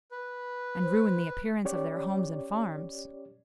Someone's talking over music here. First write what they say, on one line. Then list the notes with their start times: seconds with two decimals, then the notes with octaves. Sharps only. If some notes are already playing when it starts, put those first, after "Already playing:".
"And ruin the appearance of their homes and farms."
0.11 B4
0.83 C5
1.65 C#4 G4 C#5 D5